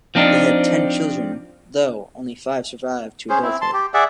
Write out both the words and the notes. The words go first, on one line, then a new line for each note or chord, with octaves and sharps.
They had ten children, though only five survived to adulthood.
F3 C4 D4 D#4
C#4 G#4 C5
C4 E4
A5 C6
G4
G#4 D5 E5 F#5